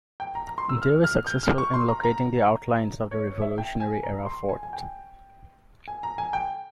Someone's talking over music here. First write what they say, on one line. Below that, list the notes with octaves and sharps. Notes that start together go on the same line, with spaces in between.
They were successful in locating the outlines of the revolutionary era fort.
G5
A#5
A#5
C6
E6
F6
F6
G6
F6
C#6
C6
A#5
A#5
C#5
C#5
E5
G5
G#5
A#5
C6
G#5
G#5
G5
G#5
A#5
G#5
G5